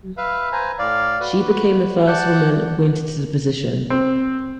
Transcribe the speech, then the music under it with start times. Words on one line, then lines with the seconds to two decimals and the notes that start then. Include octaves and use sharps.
She became the first woman appointed to the position.
0.17 B4 E5 F5
0.52 B4 C5 G#5 A#5
0.79 A2 D5 F5
1.20 F#4 B4
2.07 D5 F#5 A5 F#6 G6
3.90 C4